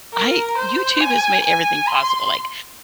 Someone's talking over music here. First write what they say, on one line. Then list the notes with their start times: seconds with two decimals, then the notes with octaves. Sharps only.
"I YouTube has made everything possible, like,
0.14 A#4
0.58 C5
1.01 G#5
1.44 G#5
1.88 C6